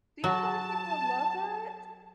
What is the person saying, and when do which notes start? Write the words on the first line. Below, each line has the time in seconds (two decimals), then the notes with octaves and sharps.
Do you know how many people would love that?
0.24 F#3 A5